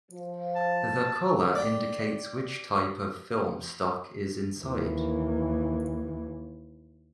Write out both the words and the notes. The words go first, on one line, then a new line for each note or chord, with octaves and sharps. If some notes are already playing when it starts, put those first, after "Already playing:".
The color indicates which type of film stock is inside.
F3
A5
D5 G5
D#2 E3